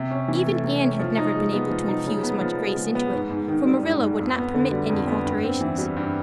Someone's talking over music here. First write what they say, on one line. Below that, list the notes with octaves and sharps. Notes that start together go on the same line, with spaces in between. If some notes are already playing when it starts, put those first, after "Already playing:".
Even Anne had never been able to infuse much grace into it, for Marilla would not permit any alterations.
Already playing: C3
C#4
E3
A3
C3
C#4
F3
D#4
G#3
B3
F3
D#4
C#3
B3
F3
G#3
C#3
B3
G#2
G#2
D#3
G3
G#2
G#2
F2
B3
D3
G3
F2
B3
G2
C4
E3
G3
G2